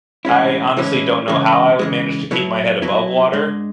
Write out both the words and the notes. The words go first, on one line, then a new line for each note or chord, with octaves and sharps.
I honestly don't know how I managed to keep my head above water,
A2 E3 G#3 C#4 E4
A2 E3 G#3 C#4 E4
C#3 E3 G#3
C#3 E3 G#3
B2 F#3 B3 E4
B2 F#3 B3 E4
G#2 G#3 D4